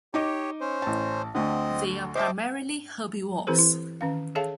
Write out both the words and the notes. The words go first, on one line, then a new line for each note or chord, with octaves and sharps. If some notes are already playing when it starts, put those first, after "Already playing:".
They are primarily herbivores.
D#4 G4 C#5 D#5 D6
C#4 C5
A1 A5
D2 D3 C4 D#5
C5 D#5 E5 A5 D6
E3 C4 E4 G4 A4 C5
E4
D#3 C#4 F5
G#4 A4 C#5 E5 F5 A5